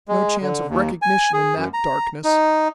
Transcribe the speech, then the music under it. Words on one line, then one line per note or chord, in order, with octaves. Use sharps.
No chance of recognition in that darkness.
G#3
D3
D#2
G#5
G#4
F#2
A#5
D#4